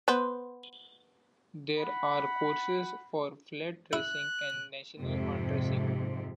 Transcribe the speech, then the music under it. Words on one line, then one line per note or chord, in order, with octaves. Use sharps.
There are courses for Flat racing and National Hunt racing.
B3 B4 C5
F#5 B5
E4 F#6
F2 G#2 C3